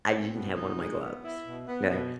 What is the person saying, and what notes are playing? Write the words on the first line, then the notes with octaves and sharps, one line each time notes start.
I didn't have one of my gloves. 'Kay?
C4
B2
D#4
G#3
B3
E4
B2
B3
B2